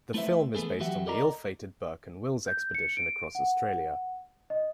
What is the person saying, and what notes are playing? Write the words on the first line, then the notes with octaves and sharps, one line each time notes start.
The film is based on the ill-fated Burke and Wills expedition across Australia.
A3 E4 B4 C5 E5
E3 A3 B3 G#4 A4
E3 F#3 F#4 G4 E5 F#5
A4 A#4 D5 D#5 A#5
G6
C#7
D7
F#5
D#5